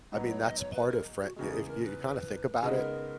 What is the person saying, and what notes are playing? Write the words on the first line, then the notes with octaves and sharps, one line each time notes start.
I mean, that's part of frie i if you kind of think about it,
G#2 F#3 B3
C#5
D#5
C#5
B4
A#4
F#4
E2 C#3 G#3 F#4
G#4
A#4
B4
C#3 G#3 B3 D#4 B4
G#4
A#4